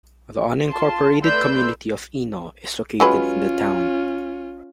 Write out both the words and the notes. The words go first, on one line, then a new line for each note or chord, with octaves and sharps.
The unincorporated community of Ino is located in the town.
F4 A5 C6
A3 B4 D5 C6 E6 G6
F#3 G#3 C#4 F4 B4